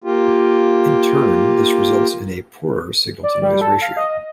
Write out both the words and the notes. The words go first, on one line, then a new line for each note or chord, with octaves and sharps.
In turn, this results in a poorer signal to noise ratio.
A#3 F4 G4
D5
G3
A4
F5
D#5